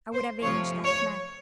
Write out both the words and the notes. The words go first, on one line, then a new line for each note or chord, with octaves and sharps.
'I would avenge that man.'
C5
C3 F3 A3 C#5
C#5